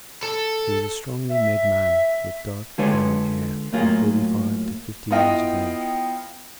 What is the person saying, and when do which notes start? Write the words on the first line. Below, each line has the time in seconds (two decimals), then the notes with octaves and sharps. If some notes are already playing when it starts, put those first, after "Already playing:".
He was a strongly made man with dark curling hair, from forty-five to fifty years of age.
0.23 A4
1.30 E5
2.78 D3 G#3 F4 A4 B4 C#5
3.73 A2 F#3 A#3 F4 G#4
5.11 B3 E4 F4 D#5 F5 G5